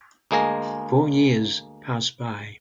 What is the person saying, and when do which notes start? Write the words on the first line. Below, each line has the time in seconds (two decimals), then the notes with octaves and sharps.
Four years pass by.
0.31 D2 G#3 A#3 G#4 D#5